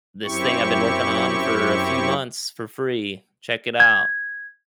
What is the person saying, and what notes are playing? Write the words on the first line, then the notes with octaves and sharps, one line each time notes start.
this thing I've been working on for a few months for free, check it out."
F#2 C4 E4 G4 C#6
G#6